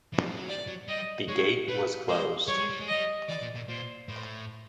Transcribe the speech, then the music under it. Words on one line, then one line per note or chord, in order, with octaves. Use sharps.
The gate was closed.
E3
F3
F#3
G3 D5
F#3
G3 D#5
G#3 C#5
A3 B4
G#3 C5
G3 C#5
G#3
G3
G#3
G3 D#5
E3 D5
A#2
A#2
A#2 C5
A2 C5